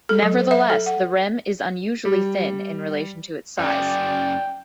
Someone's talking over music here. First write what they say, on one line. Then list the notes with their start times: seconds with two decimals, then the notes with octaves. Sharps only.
Nevertheless, the rim is unusually thin in relation to its size.
0.09 A4
0.23 F#3
0.39 C5
0.51 E5
0.70 A4
0.86 F#5
2.05 G3
3.59 F#2 C#3 D5 G5